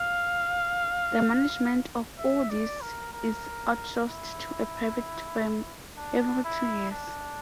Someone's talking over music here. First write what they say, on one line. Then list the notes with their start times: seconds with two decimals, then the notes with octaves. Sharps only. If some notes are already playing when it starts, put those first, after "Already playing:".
The management of all these is outsourced to a private firm every two years.
Already playing: F5
2.18 E5
2.50 D5
2.82 A#4
3.13 A#4
4.08 E4
5.97 D4
6.44 E4
6.91 D4